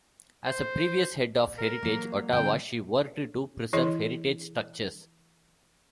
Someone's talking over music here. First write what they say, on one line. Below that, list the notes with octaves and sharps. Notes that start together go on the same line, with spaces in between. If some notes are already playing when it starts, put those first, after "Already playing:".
As a previous head of Heritage Ottawa she worked to preserve heritage structures.
C5
A#4
F#3 A#3
D3 G3 C4 G5
E3 E4 G#4 C#5 D#5 C6